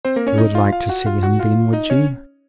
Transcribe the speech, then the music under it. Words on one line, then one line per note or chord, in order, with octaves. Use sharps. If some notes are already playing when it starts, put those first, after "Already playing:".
"YOU would like to see him then, would you?"
C4 C5
A#3 A#4
C#4 C#5
D#4 D#5
F4 F5
F4 F5
F#4 F#5
F4 F5
F#4 F#5
F4 F5
D#4 D#5
C#4 C#5